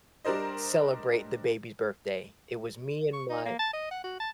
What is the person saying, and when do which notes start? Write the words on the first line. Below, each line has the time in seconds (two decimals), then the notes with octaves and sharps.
celebrate the baby's birthday. It was me and my
0.25 G3 D4 A#4 C5 D#5
3.13 C#6
3.30 D#4
3.46 A#3
3.59 A5
3.73 D#5
3.91 F#5
4.04 F#4
4.20 A5